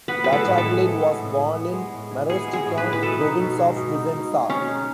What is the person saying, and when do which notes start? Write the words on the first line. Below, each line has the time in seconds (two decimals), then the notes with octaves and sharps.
Battaglin was born in Marostica, province of Vicenza.
0.08 B3 B4
0.24 G#3 B4
0.33 A4
0.45 A2
0.58 A4
0.64 E3
0.82 B3
1.00 G#3
1.19 A2
1.37 E3
1.56 B3
1.73 G#3
1.93 A2
2.11 E3
2.29 B3 G#4
2.48 G#3
2.53 G#4
2.66 A2
2.78 B4
2.84 E3
2.93 B4
3.02 B2 A4
3.20 D#4
3.40 B2
3.57 G#3
3.76 B2
3.95 D#4
4.12 B2
4.31 G#3
4.49 B2 C#4
4.68 D#4